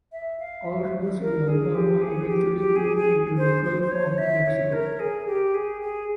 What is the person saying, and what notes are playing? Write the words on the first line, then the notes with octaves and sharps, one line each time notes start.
All rivers in Alabama eventually flow into the Gulf of Mexico.
E5
F5
E5
A#4
G#4
G4
G#4
G4
G4
G#4
G#4
C5
C5
C5
C#5
E5
C#5
A#4
G#4
G4
G#4
G#4